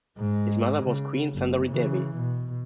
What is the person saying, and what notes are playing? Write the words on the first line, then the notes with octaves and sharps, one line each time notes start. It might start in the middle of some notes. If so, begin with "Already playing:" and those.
His mother was queen Sundari-Devi.
G#2 G#3
C#3
F#1
C#3 E3
B2